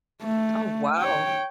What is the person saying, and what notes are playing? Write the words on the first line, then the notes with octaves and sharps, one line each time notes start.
Oh, wow.
A3
C#5 G5